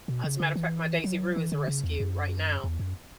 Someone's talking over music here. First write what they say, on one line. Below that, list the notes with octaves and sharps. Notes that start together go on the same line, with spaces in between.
As a matter of fact, my Daisy Rue is a rescue right now,
B2
C#3
D3
E3
F#3
E3
D3
C#3
E2
F#2
E2
F#2